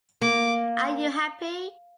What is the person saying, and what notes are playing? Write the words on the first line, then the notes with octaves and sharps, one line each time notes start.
Are You Happy?
A#3 D6